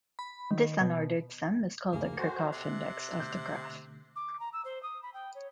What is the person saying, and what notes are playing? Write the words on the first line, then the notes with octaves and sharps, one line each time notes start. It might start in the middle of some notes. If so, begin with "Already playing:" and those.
This unordered sum is called the Kirchhoff index of the graph.
B5
D#3
B2
F#1 D2 D3 E3 F3 A#3 G#4
F#4 A4 C5 G5 G#5
C3 F#6
B2 D3 A3 G6
D6
A#5
E6
C5
D#6
B5
G5
C#5